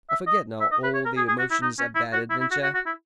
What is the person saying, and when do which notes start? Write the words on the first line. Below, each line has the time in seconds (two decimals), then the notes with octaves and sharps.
I forget now all the emotions of that adventure.
0.09 E5
0.27 D#5
0.61 E5
0.72 D#5
0.84 B4
0.94 C#5
1.06 A#4
1.17 G#4
1.28 G#4
1.39 F#4
1.51 E4
1.62 D#4
1.79 C#4
1.95 E4
2.13 F#4
2.30 E4
2.41 E4
2.52 F#4
2.63 F#4
2.75 F#4
2.86 E4